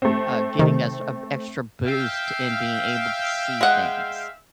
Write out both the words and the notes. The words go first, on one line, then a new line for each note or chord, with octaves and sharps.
uh, giving us a extra boost in being able to see things.
A3 C4
C3 D#3
E5 F5 G5
G#3 F#5